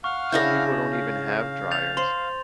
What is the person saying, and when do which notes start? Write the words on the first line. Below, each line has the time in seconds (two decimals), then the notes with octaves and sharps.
some people don't even have dryers.
0.04 F5 F#5 C#6 F6
0.32 C#3 D4 E4 G6 A#6
0.92 F5
1.71 G6 A6 F7
1.97 C5 C6